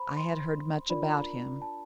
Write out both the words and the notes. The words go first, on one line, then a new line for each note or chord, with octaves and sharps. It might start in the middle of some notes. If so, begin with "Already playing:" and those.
I had heard much about him.
Already playing: C5 A#5 B5
C6
D4 F4 A#4 D5 B5
A#5
B5
A5